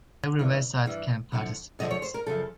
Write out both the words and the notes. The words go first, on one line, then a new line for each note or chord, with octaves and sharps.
Every website can participate.
G2 E3
G2 E3
F#2 D3 F3
F#2 D3 F3 D#5
C#5
C5
A#4
F#2 C#3 F3 A4